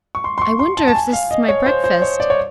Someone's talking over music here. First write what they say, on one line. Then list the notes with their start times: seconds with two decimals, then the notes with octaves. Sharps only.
"I wonder if this is my breakfast?"
0.15 C#6
0.24 C6
0.38 C6
0.42 C#6
0.59 C6
0.77 A5
0.88 A5
0.95 G#5
1.13 F5
1.31 D#5
1.48 C#5
1.66 C5
1.84 C5
2.02 C#5
2.20 D5
2.30 C#5